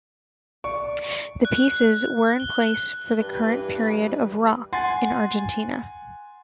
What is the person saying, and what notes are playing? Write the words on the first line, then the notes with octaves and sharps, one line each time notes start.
The pieces were in place for the current period of rock in Argentina.
D5 C#6
F#6
G7
G2 E3 G3 B4
F#5 G#5 C6 A6 C7